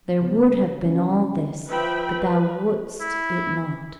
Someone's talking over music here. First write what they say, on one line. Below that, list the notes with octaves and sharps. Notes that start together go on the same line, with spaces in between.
There would have been all this--but thou wouldest it not.
C#3 B3
F#3 C#4
F3 B4 E5 G5 B5
B4
E4